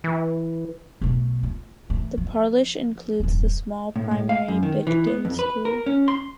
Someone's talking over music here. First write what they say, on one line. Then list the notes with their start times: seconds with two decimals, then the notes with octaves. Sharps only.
The parish includes the small primary Bicton school.
0.04 E3
1.01 B1 A3
1.43 F4
1.90 E3 A3
2.17 F3
3.20 D#1 F#2
3.96 A2
4.11 A2
4.29 F5
4.48 F#2
4.63 D#3
4.87 E3
5.07 B3
5.25 F2
5.39 B4
5.65 A#4
5.86 C#4
6.08 C6